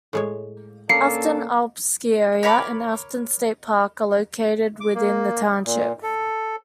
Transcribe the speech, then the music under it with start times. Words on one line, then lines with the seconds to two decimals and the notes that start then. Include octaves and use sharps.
Afton Alps Ski Area and Afton State Park are located within the township.
0.13 A2 G#3 C#5
0.89 A#3 C#4 D4 A4 C7 C#7
2.43 A#4 C#5 B5 D6
4.81 D6
4.94 A#3
5.65 A#2
6.03 A4